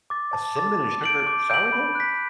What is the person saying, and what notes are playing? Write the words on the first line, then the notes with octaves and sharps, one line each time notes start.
a cinnamon and sugar sourdough?
D6 A6
A5
D6 A6
D6
G6 D7 F#7
D6
G6 D7 F#7
B5
F#6 B6